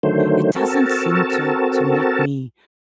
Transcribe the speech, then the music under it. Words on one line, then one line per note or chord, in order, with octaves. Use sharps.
it doesn't seem to to make me
D3 D#3 F#3 A3 C5
C4 F#4 A4 A#4 A5